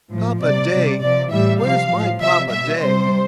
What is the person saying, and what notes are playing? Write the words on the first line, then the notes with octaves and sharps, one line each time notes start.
"Papa-day, where's my Papa-day?"
A2 F3
C3 G3 D5
C3 G3
C3 F3 D5
A2 E3 G3 E5
C3 F3 F5
A2 F3
C3 F3 E5
B2 G3 E5
C3 G3 C5